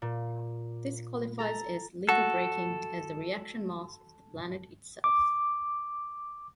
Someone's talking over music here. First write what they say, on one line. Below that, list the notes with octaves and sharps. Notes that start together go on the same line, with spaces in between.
This qualifies as lithobraking, as the reaction mass is the planet itself.
A#2
A4 A#5
F#4 A4
D6